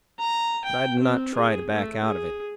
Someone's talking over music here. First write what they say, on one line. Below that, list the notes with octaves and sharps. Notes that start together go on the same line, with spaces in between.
But I did not try to back out of it.
A#5
G5
C4
G#4
A3
G#4